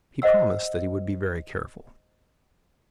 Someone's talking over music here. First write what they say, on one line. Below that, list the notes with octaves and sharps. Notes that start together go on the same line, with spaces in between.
He promised that he would be very careful.
C5 D#5 F#5 E6